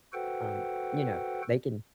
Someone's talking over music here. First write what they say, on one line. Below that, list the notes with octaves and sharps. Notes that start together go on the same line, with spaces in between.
Um, you know, they can
F#4 A4 B4 C5 F#5 G5